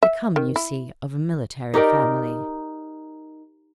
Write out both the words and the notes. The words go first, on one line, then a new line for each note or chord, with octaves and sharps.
I come, you see, of a military family.'
E5
D#3
E4
D#4 G4 A#4 D5